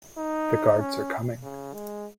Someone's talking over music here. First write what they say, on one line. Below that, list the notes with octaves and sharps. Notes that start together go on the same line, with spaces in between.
The guards are coming.
D#4
C#4
C#3
G#3